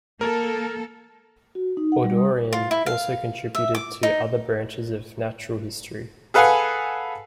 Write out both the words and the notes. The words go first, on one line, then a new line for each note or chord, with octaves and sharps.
Audouin also contributed to other branches of natural history.
A#3 A4 A#4
F#4
D#4
F#5
G3
D#6
F4
E4
F5
E5
D6
D#4
G#4 A4 B4 F5 F#5 G#5